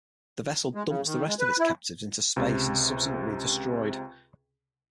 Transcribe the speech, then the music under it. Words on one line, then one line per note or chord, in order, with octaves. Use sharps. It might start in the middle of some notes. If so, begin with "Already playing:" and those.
The vessel dumps the rest of its captives into space and is subsequently destroyed.
G#3
C#3
D#3
G#3
B4
E4
C#2 C3